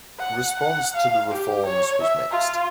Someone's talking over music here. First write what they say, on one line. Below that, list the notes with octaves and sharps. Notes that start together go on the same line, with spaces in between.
Response to the reforms was mixed.
F#5
F#5
F5
G4
C#5
E5
F4